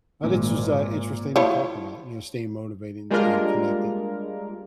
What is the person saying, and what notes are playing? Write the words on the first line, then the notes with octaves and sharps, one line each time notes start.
Uh, this was, uh, interesting to talk about, you know, staying motivated and and connected,
G#1 A#2
F3 E4 C#5
G3 G#3 A#3 D4 F4 A#4